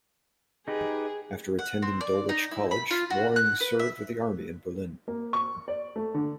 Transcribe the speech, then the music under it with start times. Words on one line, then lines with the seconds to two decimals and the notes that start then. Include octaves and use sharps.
After attending Dulwich College, Waring served with the Army in Berlin.
0.68 D#4 G4 G#4 B4
1.59 F#5
1.82 C4
2.01 D5
2.29 D#4
2.51 E4
2.71 B5
2.91 F4
3.10 F#4
3.36 F#6
3.61 B4
3.79 E5
5.08 A#3
5.33 C#6
5.68 D5
5.96 A3
6.14 D3